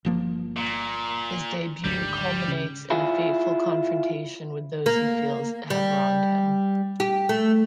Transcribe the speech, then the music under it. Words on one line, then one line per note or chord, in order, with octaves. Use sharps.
His debut culminates in a fateful confrontation with those he feels have wronged him.
G1 F3 A#3
A#2
G#1 D2 G3
C#3
E4 F4 G#4
A#3
G3
G4
A3